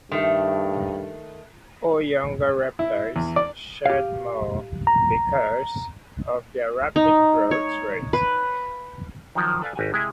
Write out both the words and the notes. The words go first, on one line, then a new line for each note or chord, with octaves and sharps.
O Younger reptiles shed more because of their rapid growth rate.
G2 D#3 A3
E4
E2
D5
G4 F5
A#5
D#4
C#5
B4
D#3 F3 F#3
A4 B4 D5 F5 G#5
G#1 F#4 G4 F#5 G#5
C3 G#3 E4 G#4